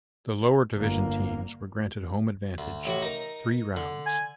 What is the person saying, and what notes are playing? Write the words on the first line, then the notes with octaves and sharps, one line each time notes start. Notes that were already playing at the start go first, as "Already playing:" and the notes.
The lower division teams were granted home advantage three rounds.
G1 A#3
D2
A1 A2 F#4
D#4 A#4
D3
G#5